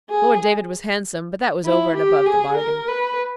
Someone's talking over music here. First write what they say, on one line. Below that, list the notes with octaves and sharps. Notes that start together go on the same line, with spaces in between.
Lord David was handsome, but that was over and above the bargain.
G#4
E4
G4
G#4
A#4
B4